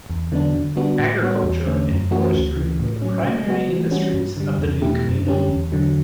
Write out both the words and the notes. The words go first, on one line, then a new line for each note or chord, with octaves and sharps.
Agriculture and forestry were the primary industries of the new community.
E2
D3 F#3 B3 D4
D3
G3 B3 D4 F#4
A2
G3 B3 F#4 C#5
E2
D3 A3 C#4
F#2
E3 A3 C#4 F#4
D2
C#3 E3
A2
F#3 C#4
C#3
F#3 B3 F#4
E3
G3 C#4 F#4
G2
D3 G3
E2
B2 A3 E4 G4
F#2
D3 G3 C#4 G4
E2
D3 F#3